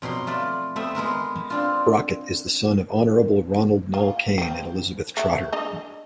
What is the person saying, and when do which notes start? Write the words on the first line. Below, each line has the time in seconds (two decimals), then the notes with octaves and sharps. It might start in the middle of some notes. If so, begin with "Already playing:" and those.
Brocket is the son of Honorable Ronald Nall-Cain and Elizabeth Trotter.
0.02 F2 B2 F#3 C6
0.27 A3 F4 B4 D5
0.76 A3 B3 C4 D#5 E5
0.95 G#3 B3 A#4 B4
1.50 C4 D4 F4
3.94 F4
4.38 F3 C4
5.17 A3 E4
5.52 G#3 D4 D#5